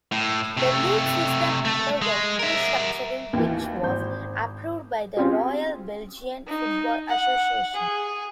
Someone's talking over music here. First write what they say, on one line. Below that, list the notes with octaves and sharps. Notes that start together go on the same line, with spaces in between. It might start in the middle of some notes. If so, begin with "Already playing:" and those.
The league system underwent restructuring which was approved by the Royal Belgian Football Association.
A2
C3 A3
A3
G#3
A#4 E5
D#2 E3
G#1 C5 G6
C4 C#4 F4 G4 G#4
D#4
F#5
G#4